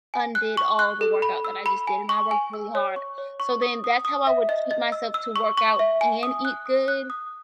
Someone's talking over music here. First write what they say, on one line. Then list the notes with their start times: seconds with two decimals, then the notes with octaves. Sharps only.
undid all the workout that I just, did and I worked really hard," so, then that's how I would keep myself to work out and eat good,
0.14 G#5
0.35 F#6
0.57 C#6
0.79 F#6
1.01 A4
1.22 B5
1.45 E6
1.66 B5
1.87 G#5
2.09 C#6
2.31 G#5
2.53 E6
2.75 C#5
2.96 C#6
3.18 C#5
3.40 C#6
3.62 D#6
3.84 D#6
4.05 D#6
4.27 E5
4.49 D#5
4.71 D#5
4.92 E6
5.14 E6
5.36 C#6
5.57 C#6
5.79 E5
6.01 G#5
6.23 D#6
6.45 F#6
6.66 D#6
6.88 F#6
7.10 D#6